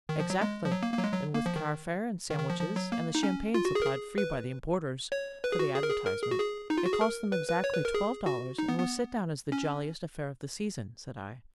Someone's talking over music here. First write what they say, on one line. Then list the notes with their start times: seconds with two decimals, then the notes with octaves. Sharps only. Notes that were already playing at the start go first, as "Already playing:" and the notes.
"Exactly; and with car-fare and sandwiches, and the champagne supplied free by the importers, for the advertisement, it cost them exactly twelve dollars and was set down as the jolliest affair of the season," said I.
0.09 D#3
0.20 F3
0.30 F#3
0.41 G#3
0.65 F3
0.72 F#3
0.83 A#3
0.94 A#3
0.99 F#3
1.04 G#3
1.13 F#3
1.34 A#3
1.46 F3
1.56 D#3
2.29 D#3
2.39 D#3
2.50 F3
2.60 F3
2.76 F#3
2.92 A#3
3.15 D#4
3.23 C#4
3.54 F4
3.65 F#4
3.75 G#4
3.82 A#4
3.86 G#4
4.18 B4
5.12 C#5
5.44 B4
5.52 G#4
5.59 F#4
5.75 G#4
5.83 A#4
5.91 G#4
6.06 A#4
6.22 G#4
6.31 F#4
6.40 G#4
6.70 D#4
6.78 F4
6.86 F#4
6.94 G#4
7.01 A#4
7.32 B4
7.48 B4
7.64 C#5
7.74 B4
7.85 A#4
7.94 G#4
8.26 F#4
8.58 D#4
8.69 B3
8.79 B3
9.52 C#4